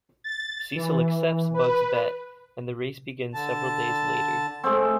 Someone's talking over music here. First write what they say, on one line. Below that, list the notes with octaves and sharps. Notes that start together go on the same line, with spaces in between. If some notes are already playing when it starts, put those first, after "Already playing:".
Cecil accepts Bugs' bet, and the race begins several days later.
A6
E3
B4
D3 A5
G#3 A3 C4